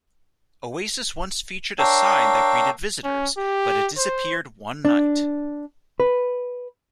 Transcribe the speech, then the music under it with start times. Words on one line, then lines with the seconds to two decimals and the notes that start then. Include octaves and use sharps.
Oasis once featured a sign that greeted visitors but it disappeared one night.
1.79 D4 A#4 C#5 F5 G5 E6
3.04 C#4
3.37 G4
3.97 C5
4.85 D4
6.00 B4